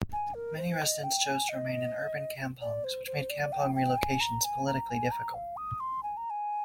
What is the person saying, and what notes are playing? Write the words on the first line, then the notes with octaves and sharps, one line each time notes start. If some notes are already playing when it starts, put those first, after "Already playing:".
Many residents chose to remain in urban kampongs, which made kampong relocations politically difficult.
G#5
A#4
C5
D#5
G5
G#5
D#5
D5
C5
C5
D5
G5
G5
G#5
A#5
G#5
A#5
G#5
A#5
F5
D#6
C6
G#5
A#5
G#5